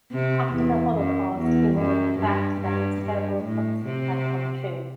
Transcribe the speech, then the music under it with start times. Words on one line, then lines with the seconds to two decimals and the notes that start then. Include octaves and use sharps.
After the Holocaust, he mourned the fact that his terrible prophecies had come true.
0.12 C3
0.54 E2
0.96 F#2
1.37 E2
1.78 F#2
2.20 G2
2.61 G2
3.02 G2
3.44 A2
3.85 C3